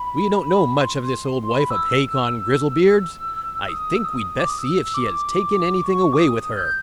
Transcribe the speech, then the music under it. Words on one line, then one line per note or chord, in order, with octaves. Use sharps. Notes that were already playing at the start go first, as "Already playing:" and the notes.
'We don't know much of this old wife of Hacon Grizzlebeard's, I think we'd best see if she has taken anything away with her.'
Already playing: B5
C6
B5
E6
E6
D#6
E6
D#6
D6
D#6
E6
E6
D6
C#6
D6
D#6
G6